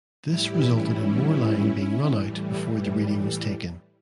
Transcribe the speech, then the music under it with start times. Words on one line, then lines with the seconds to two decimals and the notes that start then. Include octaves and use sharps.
This resulted in more line being run out before the reading was taken.
0.25 A2 E3 G3 E4 G4
0.69 C#4 E4
2.04 A2 E3 G3